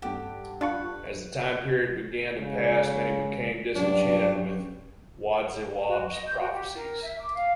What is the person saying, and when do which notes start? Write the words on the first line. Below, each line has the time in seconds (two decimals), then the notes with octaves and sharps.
As the time period began to pass, many became disenchanted with Wodziwob's prophecies.
0.02 G2 G4 A4 F#5
0.61 D4 F4 B4 C#6
2.39 C#3 G#3
3.76 G2 F#3 C#4 D4
5.87 F#4
6.11 D#5
6.26 G6
6.39 F#4
6.51 G4
6.75 A#4
7.02 E5
7.18 D6
7.34 F5